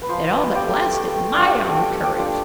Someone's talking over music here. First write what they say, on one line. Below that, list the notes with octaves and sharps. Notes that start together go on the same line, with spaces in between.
It all but blasted my own courage.
B4
F3 C5
B4
B3 F4 G4
A4
A3 G4
D4 F4
G4
A4
A3 G4
G4
D4 F4